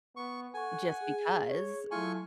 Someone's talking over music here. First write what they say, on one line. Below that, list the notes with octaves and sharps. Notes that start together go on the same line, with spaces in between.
just because.
B3 C#6
A4 F#5 G#5 C#6
G#4
C#5
F#3 A3 E4 F4 G#5 C#6